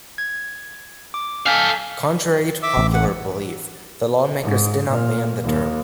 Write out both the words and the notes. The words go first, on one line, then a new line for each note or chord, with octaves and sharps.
Contrary to popular belief, the lawmakers did not ban the term.
G#6
D6
A4 F5 G#5 G6 B6
E5 D6 E6
A1
F#5
G#2
A#2
D#2